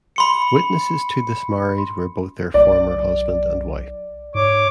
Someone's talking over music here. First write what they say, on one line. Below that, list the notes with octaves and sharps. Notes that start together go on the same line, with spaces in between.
Witnesses to this marriage were both their former husband and wife.
B5 C6 C#7
B1 D5
G#2 C#5 D6